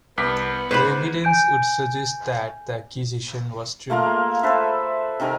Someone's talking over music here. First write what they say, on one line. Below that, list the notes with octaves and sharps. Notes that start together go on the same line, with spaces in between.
The evidence would suggest that the accusation was true.
C2 B3 D6 B6
G#2 B4 C5 B5
G#5 G6 D7
A3 A#3 F4 A#4
A4 B4 C5 E5
C3 D#3 A#4 G#5